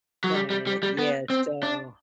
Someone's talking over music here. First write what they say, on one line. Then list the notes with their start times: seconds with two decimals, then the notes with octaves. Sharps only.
But, yeah, so
0.24 F#3
0.34 G3
0.50 G3
0.67 G3
0.83 G3
0.98 B3
1.30 C4
1.63 D4